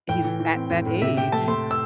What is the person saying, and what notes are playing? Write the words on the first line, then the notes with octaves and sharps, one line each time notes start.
he's at that age,
A2 G5
E3
E3
C4
A2
A2
C3 E5
C3 G5
A3 A5
A3 C6
E6